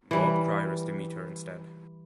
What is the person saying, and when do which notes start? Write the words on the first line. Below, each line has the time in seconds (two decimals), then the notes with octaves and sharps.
Bob Cryer is to meet her instead.
0.11 E3 G3